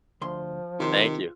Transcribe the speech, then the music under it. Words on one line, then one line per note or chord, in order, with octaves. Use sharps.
Thank you.
D2 F3 C6
C3 D#3 F4 C5 C6